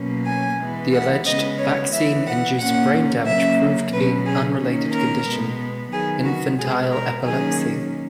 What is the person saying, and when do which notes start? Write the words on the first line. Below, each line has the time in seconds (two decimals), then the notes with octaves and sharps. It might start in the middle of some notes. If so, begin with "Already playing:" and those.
The alleged vaccine-induced brain damage proved to be an unrelated condition, infantile epilepsy.
Already playing: B2 F#3 A#3 C#4
0.26 G#5
0.60 E3 G#3 B3
0.94 F#5
1.26 C#3 G#3 B3 D#5
1.59 C#5
1.92 E3 B3 E5
2.27 F#5
2.59 A#2 A#3 C#4 F#5
3.25 C#3 F#3 A#3 C#4 E5
3.92 B2 F#3 C#4 B4
4.26 G#4
4.59 D#3 A#3 C#4
4.92 A#4
5.26 B2 G#3 B3
5.91 D#3 F#3 B3 G#4
6.25 F#4
6.59 B2 G#3 B3 G#4
6.91 A#4
7.25 D#3 F#3 A#3 C#4 G#4